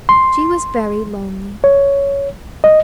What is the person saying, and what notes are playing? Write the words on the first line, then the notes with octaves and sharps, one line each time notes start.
She was very lonely.
C6
C#5
D#5